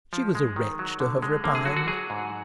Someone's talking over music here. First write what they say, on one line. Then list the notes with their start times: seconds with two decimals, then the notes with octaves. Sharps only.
She was a wretch to have repined.
0.13 F3
0.35 G#3
0.56 D#3
0.79 F#3
1.00 D3
1.22 G#3
1.44 D3 A#3
1.55 G#4
1.65 F#3 F#4
1.77 F#4
1.88 F#3 G#4
2.10 G#2